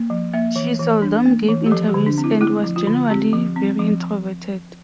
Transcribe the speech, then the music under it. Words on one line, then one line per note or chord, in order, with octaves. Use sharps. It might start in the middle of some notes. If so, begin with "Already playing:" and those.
She seldom gave interviews and was generally very introverted.
Already playing: A#3
F3
A#3 E5
E3
E3
D4
A#3
E3
G4
F3 A4
G4
D3
D4
C4
E4
A3 E4
F3
F4
D3
C4 G4
F3
C4
F3